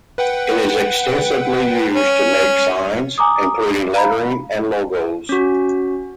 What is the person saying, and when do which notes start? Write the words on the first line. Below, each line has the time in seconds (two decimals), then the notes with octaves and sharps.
It is extensively used to make signs, including lettering and logos.
0.18 B4 F#5 G5
1.96 C#4
3.18 G#5 A#5 D6 D#6
3.94 F5 A#5 B5
5.29 C#4 F#4